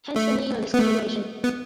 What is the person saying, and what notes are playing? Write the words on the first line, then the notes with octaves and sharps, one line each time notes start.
Hence the name of this configuration.
A3
B3
A3
B3